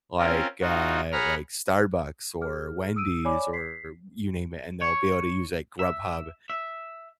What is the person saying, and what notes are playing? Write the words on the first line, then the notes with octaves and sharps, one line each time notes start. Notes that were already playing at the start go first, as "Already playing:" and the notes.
like, uh, like Starbucks or Wendy's or you name it, and they'll be able to use like Grubhub.
C4 C#4 F4 A#4
D#4 F4 F#4
G#4 C#5 F#5 A#5 B5 F6
G#4 F6
D#6 E6 D7 D#7
C#5 D5 G#5 B5 D6
B6 C7
C#5
E5
E5